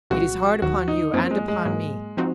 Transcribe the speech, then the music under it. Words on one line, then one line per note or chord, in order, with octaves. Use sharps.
It is hard upon you,--and upon me.
C2 A#2 F3 G#3 C4 F#4
D#2 D#3 F#3 F#4
D#4
F#2 F3 A#3 C4 C#4 F4
G#3
G#3
G#2 F#3 A#3
F3 C4 D#4 F#4